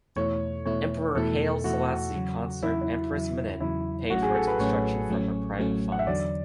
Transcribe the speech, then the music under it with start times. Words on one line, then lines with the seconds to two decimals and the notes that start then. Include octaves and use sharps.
Emperor Haile Selassie's consort, Empress Menen, paid for its construction from her private funds.
0.16 E2 B2 A3 E4 C#5
0.66 E2 B2 A3 E4 C#5
1.15 E2 B2 A3 E4 A4
1.64 E2 B2 A3 E4 F#4
2.13 E2 C#3 F#3
2.62 E2 C#3 F#3 E4
2.81 E4
3.12 E2 C#3 F#3
3.60 E2 C#3 F#3 E4
4.10 A1 A2 F#3 A3 C#4 F#4
4.22 G#4
4.34 A4
4.47 B4
4.59 A1 A2 F#3 A3 C#4 C#5
5.08 A1 A2 F#3 A3 C#4
5.57 A1 A2 F#3 A3 C#4
5.92 F#5
5.99 E5
6.07 E2 D3 F#3 D5